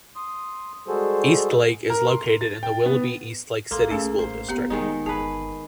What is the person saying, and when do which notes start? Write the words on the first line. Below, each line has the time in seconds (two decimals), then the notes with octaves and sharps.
Eastlake is located in the Willoughby-Eastlake City School District.
0.16 C6 D#6
0.88 G3 G#3 F#4 G#4 A4 C5
1.90 A#4
2.07 C6
2.23 F7
2.41 A6
2.63 G5
2.86 B3
3.71 A#1 A#3 A4 C6
3.90 B1 A3 C#4 G#4
4.19 A1 C5
4.49 F1 B3 G4 A#5
4.70 F1 D#3 G#3 D#4
5.06 G1 G#4 B4 A5